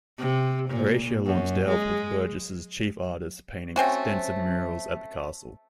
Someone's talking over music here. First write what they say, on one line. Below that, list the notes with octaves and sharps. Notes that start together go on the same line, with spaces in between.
Horatio Lonsdale was Burges's chief artist, painting extensive murals at the castle.
C3
A#2
F#2
G#3
A3 C4 C#4 F#4